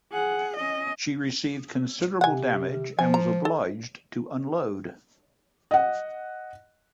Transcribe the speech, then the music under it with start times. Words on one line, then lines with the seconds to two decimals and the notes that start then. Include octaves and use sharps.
She received considerable damage and was obliged to unload.
0.12 G#4 F#5
0.57 C#4 D#5
2.21 C3 F#5 G#5
2.99 F3 G#5
3.14 A#5
3.45 A4
5.71 D#5 F#5